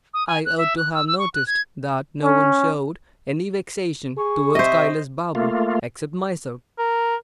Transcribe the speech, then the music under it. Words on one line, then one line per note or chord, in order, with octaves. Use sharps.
I ought to have noticed that no one showed any vexation towards Kailas Babu except myself.
D#6
G#5
F#6
E5
F#6
E6
E6
C#6
F#6
G#6
C#4
G#4 C#6
C3 C5 D#5 E5
A3 A#3 F4
A#4